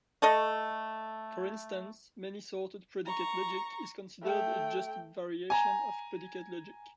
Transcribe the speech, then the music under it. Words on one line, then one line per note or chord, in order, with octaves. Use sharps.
For instance many-sorted predicate logic is considered a just variation of predicate logic.
A3 A4 D#5
A#5 C#6
A3 G5
G#5 A#5